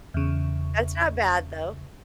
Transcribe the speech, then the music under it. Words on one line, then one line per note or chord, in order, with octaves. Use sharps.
That's not bad, though.
E2 C#3